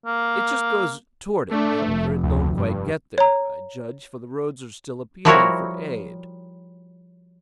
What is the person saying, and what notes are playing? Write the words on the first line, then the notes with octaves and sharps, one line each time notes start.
It just goes toward it, however; it don't quite get there, I judge, for the roads are still appealing for aid.
A#3
A3 D4
F1
D2
G2
C#5 A#5
F3 G3 E4 F#4 A#4 C#5